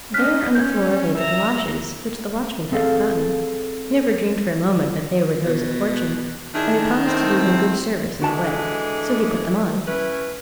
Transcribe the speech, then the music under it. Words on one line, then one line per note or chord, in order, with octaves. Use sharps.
There, on the floor lay the galoshes, which the watchman had forgotten; he never dreamed for a moment that they were those of Fortune; and they promised to do him good service in the wet; so he put them on.
C#4 D#5 F6 F#6 B6
C#4 G6 G#6
E5 A#5
C4 G#4 A4 F5
B2
D#3 D4 E4 G#4
A2 C4
D3 E3 G#3 F#4 A5
C#4 E4 B4